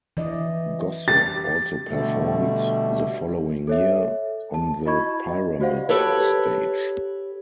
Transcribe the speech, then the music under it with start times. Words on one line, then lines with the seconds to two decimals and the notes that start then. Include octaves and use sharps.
Gossip also performed the following year, on the Pyramid Stage.
0.17 E3 D5 D#5
1.08 G4 A6
1.87 B2 D3 G3 A3
3.67 A4 C#5 E5
4.54 A5
4.85 E4 F#4 D#5 B5 C#6 G#6
5.29 D#5
5.60 F#4 G4 C5 D5 F5 F#5
5.89 G4 A4 B4 C#5